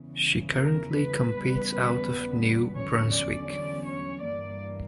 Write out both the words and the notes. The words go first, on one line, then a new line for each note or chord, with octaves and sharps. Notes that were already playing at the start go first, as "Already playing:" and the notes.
She currently competes out of New Brunswick.
Already playing: E2 C#3 E3
A#4
B4
E2 C#3 G3 B3
E2 D3 F#3 C#4 C#5
D5
D5
C#5
G2 E3 A#3 D5